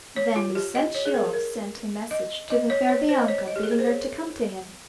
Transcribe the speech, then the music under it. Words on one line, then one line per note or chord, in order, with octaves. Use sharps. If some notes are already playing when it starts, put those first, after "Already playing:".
Then Lucentio sent a message to the fair Bianca bidding her to come to him.
C#5
F4
G4
D#5
C#5
G#4
A#4
A#4
D#5
D#5
C#5
C#5
C5
D#5
C#5
D#5
G4
G#4
A#4
C5
C#5